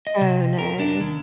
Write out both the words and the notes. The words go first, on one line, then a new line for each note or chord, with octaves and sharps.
Oh, no.
D#5
C3
A#4
D4
D#2